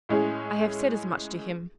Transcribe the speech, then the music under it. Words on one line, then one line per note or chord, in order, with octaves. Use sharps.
I have said as much to him.'
A2 G#3 C#4 G#4